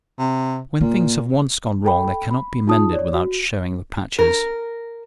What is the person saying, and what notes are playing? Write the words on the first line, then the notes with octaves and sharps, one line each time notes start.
When things have once gone wrong they cannot be mended without showing the patches.
C3
A#2 A#3
A4 G5 B5
B5
D#4 F4 G#4 A5 D#6
C#5 D5
F#4
A#4